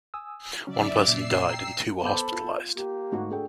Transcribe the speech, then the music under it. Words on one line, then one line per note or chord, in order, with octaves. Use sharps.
One person died and two were hospitalized.
G#5 D#6 E6
C#3 F#3 C#4 D5 E5
A#2 E6 C7
G5 A#5
B3 A4 C5 B5 D6 G6
F4
A#3 G4
G#2 A3 F#4
D4 G#4 A4 G5